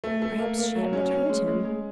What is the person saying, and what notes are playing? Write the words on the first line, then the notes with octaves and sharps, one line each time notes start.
Perhaps she had not heard him.
A3
A3
A#3
A#3
F#3
C#4
C#4
G#3
G#3
G#3